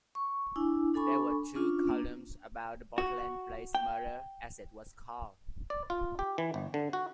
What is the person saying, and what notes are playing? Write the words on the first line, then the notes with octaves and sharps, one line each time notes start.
There were two columns about the Portland Place Murder, as it was called.
C#6
D4 E4 G#5
D4 A4 G#5 B5 C#6
C#4 D4 F4
A#3 D4
F#4
G5
D5
F4
G4
E3
G1
D3
F#4